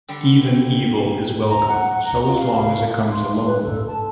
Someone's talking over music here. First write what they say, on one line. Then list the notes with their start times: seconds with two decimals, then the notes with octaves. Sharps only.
Even evil is welcome so as long as it comes alone.
0.09 D3 G3
1.49 A#5
1.68 F#5
2.04 A#5
2.27 F4
2.38 F5
2.57 F5
3.12 C6
3.45 B4
3.63 A4
3.88 A5